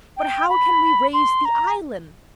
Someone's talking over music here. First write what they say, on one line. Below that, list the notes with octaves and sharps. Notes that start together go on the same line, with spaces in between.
"But how can we raise the island?"
G5
B5
C6
A#5